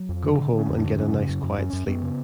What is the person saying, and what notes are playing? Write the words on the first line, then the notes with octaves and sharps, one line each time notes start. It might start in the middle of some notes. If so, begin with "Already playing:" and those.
Go home and get a nice quiet sleep.
Already playing: F#3
F2
C#3
D3
D3
C#4
F2
D4
D3
F#2 C#4
C#3
F#2
F#2
F#2 C#4
F#2
F#2 B3
C#3